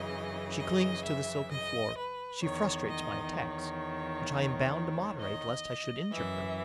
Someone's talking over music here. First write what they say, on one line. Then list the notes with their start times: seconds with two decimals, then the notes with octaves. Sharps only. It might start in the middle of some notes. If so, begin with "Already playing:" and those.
She clings to the silken floor, she frustrates my attacks, which I am bound to moderate lest I should injure her.
Already playing: F#2 C#3 E3 D#5
0.58 D#5
1.04 E5
1.50 D#5
1.96 B4
2.42 E2 D#3 C#5
2.89 D#5
3.35 C#5
5.19 D#5
6.11 F#2 E3 E5